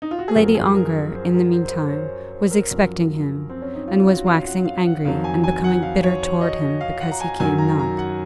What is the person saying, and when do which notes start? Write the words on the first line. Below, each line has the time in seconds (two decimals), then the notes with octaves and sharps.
Lady Ongar, in the meantime, was expecting him, and was waxing angry and becoming bitter toward him because he came not.
0.02 D#4
0.11 F4
0.18 F#4
0.28 G#4
0.35 F#2 F3 A#4
0.55 G#4
0.75 A#4
0.94 A#4
1.14 C5
1.34 A#4
1.53 C5
1.65 C5
1.72 A#4
1.88 C#5
1.93 C5
2.31 C5
2.51 A#4
2.71 F#2 F3
3.49 C4
3.62 C#4
3.75 D#4
3.88 F4
4.07 F#4
4.26 F5
4.46 F#5
4.65 F5
4.86 F#5
5.05 F2 D#3 F#3 F5
5.24 G#5
5.44 G#5
5.64 F#5
5.82 F5
6.03 C#5
6.22 C#5
6.41 D#5
6.61 D#5
6.81 F5
7.00 F#5
7.11 A#5
7.21 G#5
7.40 F#2 D#3 F#3 G#5
7.58 A#5
7.79 A#5
7.98 F#5